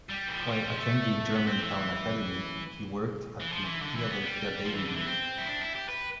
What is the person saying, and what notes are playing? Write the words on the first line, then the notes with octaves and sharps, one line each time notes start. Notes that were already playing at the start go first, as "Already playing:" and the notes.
While attending Germantown Academy, he worked at the "Philadelphia Daily News".
G3
E3
F3
G3
F3
A3
B3
C4
E3
E3
F3
E3
D3
E3
B3
G3
F3
E3
D3
E3
C4
E4
D4
E4
G4
B4